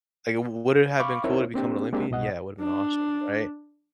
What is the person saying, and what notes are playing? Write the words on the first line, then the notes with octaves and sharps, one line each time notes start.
like, "W would it have been cool to become an Olympian?" Yeah, it would have been awesome, right?
F5 B5 C#6 D6
C4 D#4 E4 A#4 C5 C#5
A#3 C4 D4 G4
G#3 A#3 C4 D4 F#4 G4
C2 B2 D#5 F#5
D4